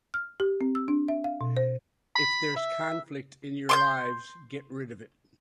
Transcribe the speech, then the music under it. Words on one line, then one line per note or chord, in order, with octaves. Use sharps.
If there's conflict in your lives - get rid of it.
F6
G4
C4
E6
D4
E5
F5
B2
C5
B5
E5
C6 D6 G6